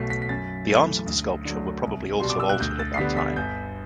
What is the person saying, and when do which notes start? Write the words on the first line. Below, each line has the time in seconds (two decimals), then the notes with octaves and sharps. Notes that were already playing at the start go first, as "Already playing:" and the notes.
The arms of the sculpture were probably also altered at that time.
Already playing: B1 B2 A3 B6 C7
0.10 B6
0.22 B6
0.29 F#2 A6
0.67 E3 A3
1.06 D2
1.45 D3 F#3 A3
1.83 C2
2.20 B2 G3 C6
2.30 D6
2.40 E6
2.49 F#6
2.60 D2 G6
2.79 A6
2.94 C7
2.98 D3 G3 B3 B6
3.17 B6
3.36 G1 G6